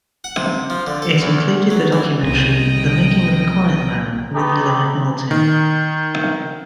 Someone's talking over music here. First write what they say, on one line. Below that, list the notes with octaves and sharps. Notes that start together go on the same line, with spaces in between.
It included the documentary "The Making of the Quiet Man" with Leonard Maltin.
F#5
C3
F3
D3
A4
E2
F#3
E3
C2 C3 G3 B3 D#5 G5
A3 B3 D#4 G4
D#3